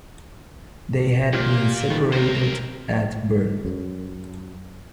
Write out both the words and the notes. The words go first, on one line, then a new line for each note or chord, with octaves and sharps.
They had been separated at birth.
A#2 A#3 F4 G4
D#3 A4 B4
C#2 C3 A#4 C5
F#2